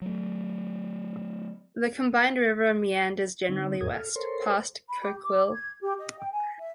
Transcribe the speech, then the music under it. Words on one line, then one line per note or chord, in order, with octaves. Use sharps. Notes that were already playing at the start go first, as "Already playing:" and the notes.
The combined river meanders generally west, past Coquille.
F#3 A3
D3 G3 C4 D#4
E2 A2 G#4 A#4 D#6 G#6
A4 F6
A4 A#4 C5 C#5 C6
B5
G4
D6
G#6
G4
D#5
G5
G#5
E5